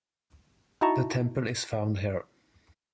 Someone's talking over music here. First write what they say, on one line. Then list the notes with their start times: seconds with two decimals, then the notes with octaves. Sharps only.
The temple is found here.
0.81 D#4 E4 F#4 A5 A#5 C#6